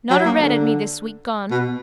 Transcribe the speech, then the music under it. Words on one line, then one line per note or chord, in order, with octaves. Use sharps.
Not a red at me this week gone.
F#3
A#3
D3
B2